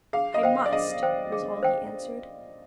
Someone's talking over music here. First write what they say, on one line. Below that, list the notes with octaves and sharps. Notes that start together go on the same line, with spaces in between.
'I must,' was all he answered.
G#4 F5
D#5
C5 F5 G5
D5
G#4 D#5
C5 G5
G#4
C5 G5